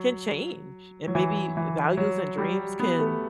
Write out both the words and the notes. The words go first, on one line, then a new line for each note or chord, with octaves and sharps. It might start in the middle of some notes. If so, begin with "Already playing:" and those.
can change, and maybe values and dreams can
Already playing: F#3
F#3
E3
E3
F#3
G3
B3
A3